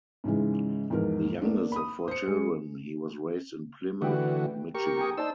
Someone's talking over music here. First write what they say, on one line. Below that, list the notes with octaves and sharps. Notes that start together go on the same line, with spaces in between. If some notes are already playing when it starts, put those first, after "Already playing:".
The youngest of four children, he was raised in Plymouth, Michigan.
G#2 C#3 E3 G#3
E2 G#2 F3 B3 A#4
A#3 B3 D4
B5 D#6
C5 C#7
G#3
D3 E3 A3 F#4 B4 G5
G4 A#4 C#6
G5 G#5 D#6
D#4 C5 D5 A5 E6